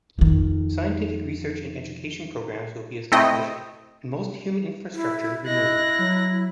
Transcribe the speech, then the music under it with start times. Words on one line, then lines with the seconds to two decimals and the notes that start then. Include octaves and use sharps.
Scientific research and education programmes will be established and most human infrastructure removed.
0.19 F2 D#3
3.12 A3 C4 E4 D#5 G5
4.95 E4
5.46 E4 D#5 F#6 A#6
5.99 F#3